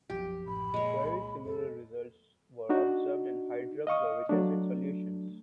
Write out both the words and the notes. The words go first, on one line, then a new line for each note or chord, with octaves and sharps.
Very similar results were observed in hydrofluoric acid solutions.
F#1 B1 F3 G4
A1 B5
A#2 G#3 C#5
C2
F2 A4
D4 D#4 F#4
D#5 F5 C#6 D#6
F#3 A3 D4